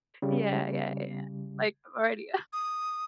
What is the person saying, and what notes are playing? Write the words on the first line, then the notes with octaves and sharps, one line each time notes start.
Yeah, yeah, yeah, yeah, like, already up.
C#3 G3
D#6